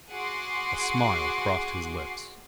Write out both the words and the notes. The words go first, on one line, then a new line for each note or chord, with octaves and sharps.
A smile crossed his lips.
F#4 G#4 F#5 C6 D6 C7